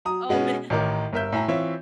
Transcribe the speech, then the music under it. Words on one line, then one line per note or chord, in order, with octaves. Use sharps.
Oh, man.
F#3 A#5 D#6
B2 G#3 B3 C#4
A1 D#3 D#4 A#4 D6
G1 A#4 E5 G6
A2 E5 G#5 A#5
E3 C4 F4 C#5 E5